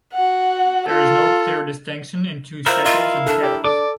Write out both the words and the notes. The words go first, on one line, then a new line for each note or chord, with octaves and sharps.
There is no clear distinction into sepals and petals.
F#4 F#5
F4 A4
E4 F4 A#4 C5 E6
F4 D#5 F5
D4 A4
G4
A4 D5 D6